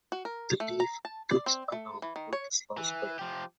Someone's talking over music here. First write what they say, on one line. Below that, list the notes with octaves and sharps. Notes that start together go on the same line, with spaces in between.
The leaf drifts along with a slow spin.
F#4
A#4
A3
A#5
A5
D5
C4
A3
E3
D#3
C#5
E3
F3 G4